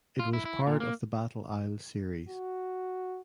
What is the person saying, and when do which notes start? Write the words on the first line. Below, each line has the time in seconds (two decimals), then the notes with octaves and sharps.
It was part of the "Battle Isle" series.
0.19 F4
0.33 E4
0.45 E4
0.67 A#2
0.80 A#3
2.29 F#4